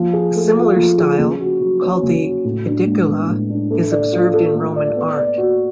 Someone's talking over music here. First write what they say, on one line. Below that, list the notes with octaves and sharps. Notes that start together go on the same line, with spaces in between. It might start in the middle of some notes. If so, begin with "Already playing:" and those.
A similar style, called the Aedicula, is observed in Roman art.
Already playing: F3 F4
G#4
A3
F4
F3
G#4
C#3
F#4
F#3
C#4
C#3
F#4
A2
D4
G#3
B3
A2
D4
A3
D5
F4
A4
A3
D5
B3
D5
F#4